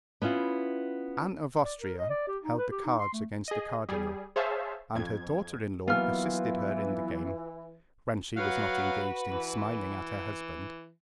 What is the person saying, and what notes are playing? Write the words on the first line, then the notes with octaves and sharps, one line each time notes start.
Anne of Austria held the cards against the cardinal, and her daughter-in-law assisted her in the game, when she was not engaged in smiling at her husband.
B3 C#4 E4 F4
D5
A#4
D#5
D5
G4
D#4
B4
G4
D#4
C6
A3
G#4 D#5
G3 G#4
G#4 C5 C#5 E5 F5 A5
F2 G#6
E3 F#3 A#3 B3 F4 F6
F#3 F#4 B4 F5 F#5
E3